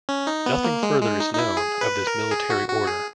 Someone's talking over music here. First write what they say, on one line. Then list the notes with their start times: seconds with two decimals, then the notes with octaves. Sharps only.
Nothing further is known of this military order.
0.09 C#4
0.27 D#4
0.46 B3
0.64 A#3
0.83 G#3
1.01 G#3
1.20 D#4
1.34 D#4
1.39 E4
1.57 G#4
1.81 B4
2.07 A#4
2.31 G#4
2.50 F#4
2.68 F#4
2.87 G#4